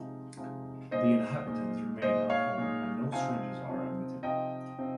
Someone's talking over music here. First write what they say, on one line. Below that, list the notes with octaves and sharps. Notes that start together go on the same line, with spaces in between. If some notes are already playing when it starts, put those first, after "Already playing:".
The inhabitants remain at home and no strangers are admitted.
Already playing: C3 F3 G#3 D#4
C3 F3 G#3 D#4
A#2 G#3 D#4 C5 D#5
A#2 G#3 D#4
A#2 G#3 D#4 C5 D#5
C#5 F5
A#2 G#3 D#4
C3 F3 C4 D#4 F5 G#5
C3 F3 C4 D#4
C3 F3 C4 D#4 D#5 G5
C3 F3 C4 D#4